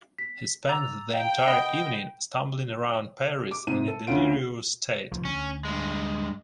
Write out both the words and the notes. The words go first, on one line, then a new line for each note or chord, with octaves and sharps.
He spends the entire evening stumbling around Paris in a delirious state.
B6
A#5 D6 E6 A6
D#5 F5 G5
D#5 F#5 B5 D#6
D6
G#2 C3 D#7
A4
D2 D3 C#4 F4 D7
C#2 C#3 F3
D2 C#4
G2 G#3